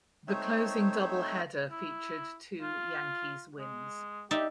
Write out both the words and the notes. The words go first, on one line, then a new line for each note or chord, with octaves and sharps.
The closing doubleheader featured two Yankees wins.
A3 C4 D#4 C5 C#5 E5
E4
F4
G#3
D#4 G4 D5 E5